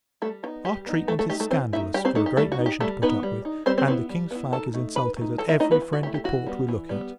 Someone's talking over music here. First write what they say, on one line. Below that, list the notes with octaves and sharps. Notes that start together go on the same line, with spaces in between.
Our treatment is scandalous, for a great nation to put up with; and the King's flag is insulted at every friendly port we look at.
G3 A3 A4
B3 D#4 G4
G3 G4
B3 D#4
E3 A3 A4
A3 A4
A3 D#4 G4
A3 A4
E3 C4 C5
A3 D#4 E4 E5
G3 G4 G5
C4 C5
A3 D#4 A4
G4
G3 A3 A4
F#4
D#4
G4
G3 A3 A4
B3 D#4 B4
G3
D#4
G3 C4 C5
C4 C5
B3 C4 E4 C5
G3
B3 E4
D#3 A4 A5
A3 D#4
D#3 B4 B5
A3 D#4
E3 A4 A5
E4 E5
A3 D#4 E4 D#5
B3 B4
E3
F#4
A3 E4 G4
G4
E3 F#4
G3 B3
E3
G3 B3